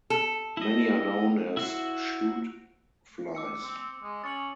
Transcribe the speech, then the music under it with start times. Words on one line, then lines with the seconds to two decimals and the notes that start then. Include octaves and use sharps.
Many are known as shoot flies.
0.10 A4
0.57 E4 D#5
1.57 E4 F#4 C5
3.35 D6 E6 C#7
3.62 C4
4.03 G#3
4.24 C#4 A6 C#7 F#7